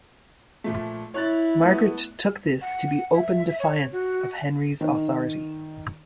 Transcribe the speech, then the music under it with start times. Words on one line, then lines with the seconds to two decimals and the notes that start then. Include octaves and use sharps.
Margaret took this to be open defiance of Henry's authority.
0.64 A#2 F3 A3
1.14 E4 C#5 F#6 A6
1.61 A3 B3
2.62 F#5
2.87 F#5
3.13 E5
3.59 C#5
3.92 F#4
4.81 D#3